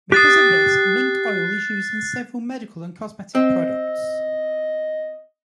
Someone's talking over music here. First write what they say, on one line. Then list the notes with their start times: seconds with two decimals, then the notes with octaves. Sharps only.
Because of this, mink oil is used in several medical and cosmetic products.
0.12 G4 D#6 F#6 A6 C7
3.35 C4 D#5